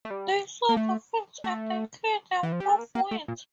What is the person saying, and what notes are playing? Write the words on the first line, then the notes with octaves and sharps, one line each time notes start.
They sow the fields and they clear them of weeds.
A3
G3
A#3
A3
A3
E3
F3
G3
A3
A#3
A#3
A3
A#2